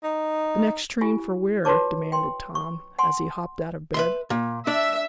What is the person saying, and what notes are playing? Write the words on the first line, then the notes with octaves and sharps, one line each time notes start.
"The next train for where?" demanded Tom, as he hopped out of bed.
D#4
E4 F4 G4 G#5
F4 F#4 B4 C#5 A5 D6
G5 C6
C#6
F#5 G#5 C6
B4 E5 C6
A#2
D4 E5